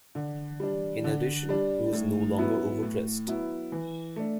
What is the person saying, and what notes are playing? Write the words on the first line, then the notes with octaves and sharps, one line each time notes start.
In addition he was no longer overdressed.
D3
G3 D4
D3
G3 D4
A2
F#3 B3 E4
A2
F#3 B3 E4
E3
A3 D4